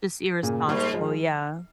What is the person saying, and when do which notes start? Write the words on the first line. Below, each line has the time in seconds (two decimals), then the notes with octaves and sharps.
Just irresponsible, yeah.
0.43 A#2 C#3
0.68 G#2 G3 A#3
0.94 F3 G#3